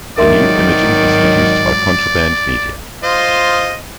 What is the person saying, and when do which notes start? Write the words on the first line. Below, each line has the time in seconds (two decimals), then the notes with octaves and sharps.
The new imaging is produced by Contraband Media.
0.18 G#1 G#2 D#3 F#3 A#4 D5 E5 C6
3.03 F4 C5 D#5